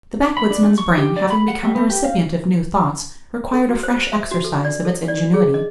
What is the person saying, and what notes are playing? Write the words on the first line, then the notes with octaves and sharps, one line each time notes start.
The backwoodsman's brain having become the recipient of new thoughts, required a fresh exercise of its ingenuity.
B5
D4
A3
C#6
G4
D5
B5
F#5
G3
B3
G4
F5
A4
F#4
C5
E5
F#4
A4
D5
A4
D5
G#4
D#5